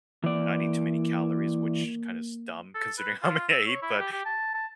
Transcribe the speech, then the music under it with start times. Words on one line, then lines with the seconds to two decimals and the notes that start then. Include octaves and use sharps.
"Not eat too many calories," which kinda is dumb considering how many I eat. But
0.24 E3 A#3 D5
2.75 A4
2.98 B4
3.22 F4
3.52 E6
3.67 C#5
3.82 E4
3.99 G4
4.12 G4
4.25 A5
4.54 A5